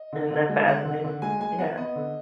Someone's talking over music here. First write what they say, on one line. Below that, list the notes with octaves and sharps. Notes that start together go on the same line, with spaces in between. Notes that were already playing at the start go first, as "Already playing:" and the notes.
Isn't that fascinating? Yeah.
Already playing: D#5
D3
D3
G#3
D3 F#5
D3
D3
G#3 G#5
G#3 G#5
B3 F#5
B3 D#5
D3